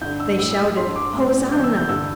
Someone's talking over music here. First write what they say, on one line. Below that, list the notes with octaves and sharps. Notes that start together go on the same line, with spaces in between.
They shouted, "Hosanna!"
G2 D3 G3 G6
E6
A2 G3 E6
E6
E6
G2 G3 C6
D6
A2 G3
E2 C3 E3 G3 G6
E6
G6
G2 D3 G3 E6